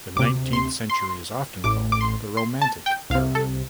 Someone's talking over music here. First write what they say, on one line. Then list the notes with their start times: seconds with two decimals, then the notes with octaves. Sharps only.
The nineteenth century is often called the Romantic era.
0.16 D2 C3 D6
0.53 C6
0.90 C6
1.64 A1 A2 D6
1.92 D6
2.01 C6
2.37 C6
2.62 A5
2.86 G5
3.10 C2 F5
3.15 C3
3.35 A4